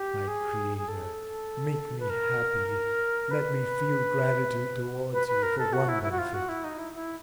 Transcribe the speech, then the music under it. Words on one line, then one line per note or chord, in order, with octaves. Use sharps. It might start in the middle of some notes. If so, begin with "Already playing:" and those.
My creator, make me happy; let me feel gratitude towards you for one benefit!
Already playing: G4
G#4
G#4
A4
B4
A#4
B4
B4
B4
A#4
A4
F#4
E4
E4
F#4
F4
F#4
E4
D#4
E4
E4